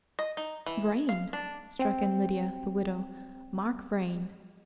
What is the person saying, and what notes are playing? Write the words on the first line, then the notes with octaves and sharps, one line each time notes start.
"Vrain!" struck in Lydia, the widow, "Mark Vrain."
D#5
D#4
E3
F5
D4
C4 G5